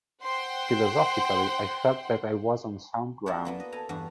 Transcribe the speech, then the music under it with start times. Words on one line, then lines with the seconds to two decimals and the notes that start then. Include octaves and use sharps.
Philosophically I felt that I was on sound ground.
0.24 C5 F#5 G5 C6
3.26 A#3 E4 F#4 A4 D5 F#5
3.45 A#3 B3 E4
3.60 D#5
3.72 A4 G#5 A#5
3.89 E2 G2 F#4